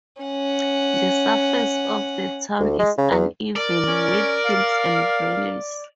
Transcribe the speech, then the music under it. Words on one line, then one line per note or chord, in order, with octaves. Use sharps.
The surface of the town is uneven, with hills and valleys.
C#4 F#5
D2
G#3
C#3
E2
A#4 D5
C#4
F5